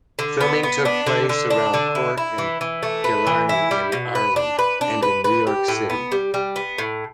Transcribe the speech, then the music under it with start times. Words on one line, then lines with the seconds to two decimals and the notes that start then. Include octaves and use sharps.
Filming took place around Cork and Killarney in Ireland, and in New York City.
0.19 D3
0.41 B3
0.63 B3
0.85 D4
1.06 D3
1.29 D3
1.50 D4
1.74 D3
1.95 E4
2.17 E4
2.38 E3
2.61 E3
2.83 A3
3.04 B4
3.27 E3
3.49 E4
3.71 G3
3.92 B2
4.15 B4
4.36 D4
4.59 B4
4.81 D4
5.03 B4
5.24 B4
5.47 G4
5.68 A2
5.90 B3
6.12 G3
6.34 G3
6.56 B3
6.78 A2